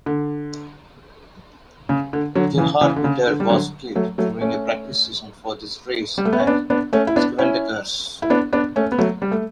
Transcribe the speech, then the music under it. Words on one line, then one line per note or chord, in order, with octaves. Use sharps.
Gerhard Mitter was killed during a practice session for this race at Schwedenkreuz.
D3
C#3
D3
D3 F#3
C#3 E3
C#3 E3
D3
C#3
D3
G3
D3 F#3
F#3 A3
F#3 A3
A3 C#4
G3
A3
B3
C#4
B3 D4
B3 D4
A3 C#4
E4
B3 D4
C#4 E4
E4
B3 D4
B3 D4
A3 C#4
B3
F#3 A3
G3
A3